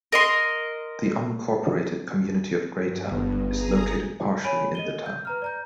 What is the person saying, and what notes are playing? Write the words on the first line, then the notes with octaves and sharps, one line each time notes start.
The unincorporated community of Graytown is located partially in the town.
A#4 D#5 C6
G2
G1 B3
G#4 A#5 D#6
C#5 G#5 B5 D7 D#7
D#5 D#7 G7
G6
B4 A#5 F6
D5 A#5 G6